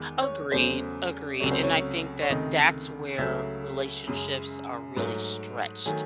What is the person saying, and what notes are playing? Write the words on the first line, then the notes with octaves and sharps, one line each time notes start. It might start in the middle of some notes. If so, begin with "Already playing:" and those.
Agreed, agreed. And I think that that's where relationships are really stretched
Already playing: E2 D#3 G#3
C#5
E2 C#3 F#3 A3 C5
C#2 C3 F#3 A3 C#5
C5
C#5
C#5
C#2 C3 D#3 A3 D#5
C#2 C#3 F#3 A3 E5
F#2 C#3 G#3
G#2 F#3 A3
D#3 F#3 A3 G#5